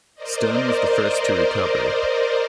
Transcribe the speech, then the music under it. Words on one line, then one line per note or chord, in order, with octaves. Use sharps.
Stone was the first to recover.
A#4 C5 D5 D#5